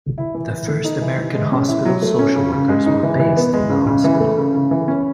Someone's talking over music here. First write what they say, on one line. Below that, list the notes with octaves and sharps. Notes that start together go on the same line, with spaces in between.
The first American hospital social workers were based in the hospital.
E4
E3
E3
A3
D#4
E3
E3
G#3
C#4
E4
F#3
A3
C#4
C#3
C#3
G#3
D#4
E3
E3
B3
G#3
C#3
C#3
E3
A3
C#3
C#3
E3
C#4